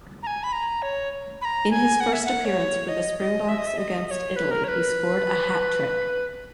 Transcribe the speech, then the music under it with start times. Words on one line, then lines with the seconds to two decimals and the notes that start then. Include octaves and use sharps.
In his first appearance for the Springboks against Italy, he scored a hat-trick.
0.23 A#5
0.27 G#5
0.43 B5
0.52 A#5
0.82 C#5
1.41 B5
1.45 A#5
1.71 G#5
2.00 F#5
2.13 E5
2.25 F#5
2.45 C#5
2.88 D#5
3.18 D#5
3.49 E5
3.58 D#5
3.67 E5
3.77 D#5
4.07 D#5
4.11 C#5
4.36 B4
4.51 A#4
4.64 C#5
4.68 B4